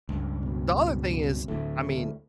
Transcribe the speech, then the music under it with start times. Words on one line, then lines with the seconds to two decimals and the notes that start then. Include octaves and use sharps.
the other thing is, I mean
0.09 C#2 G2
0.43 B2
1.48 D2 A2 A3